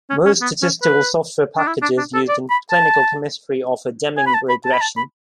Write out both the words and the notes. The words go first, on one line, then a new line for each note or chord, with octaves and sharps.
Most statistical software packages used in clinical chemistry offer Deming regression.
C#4
C#4
B3
C#4
B4
D4
E4
D4
D4
A4
D5
B5
A5
G#5
B5
A5
B5
A5
B5
A5
B5